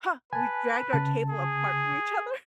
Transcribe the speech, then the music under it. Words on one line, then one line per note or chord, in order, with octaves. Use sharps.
Ha! We dragged our table apart from each other.
B4 G#5 A5
C#3 A5
G#4